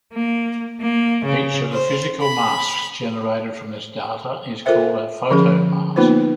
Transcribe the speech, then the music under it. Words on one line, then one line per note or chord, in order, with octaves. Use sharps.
Each of the physical masks generated from this data is called a photomask.
A#3
A#3
C#3
C5
B5
F4 A4 A#4 C5 E5 G5
D3 F3 C#4 G#4
A#3 B3 D#4 F4 B4 C5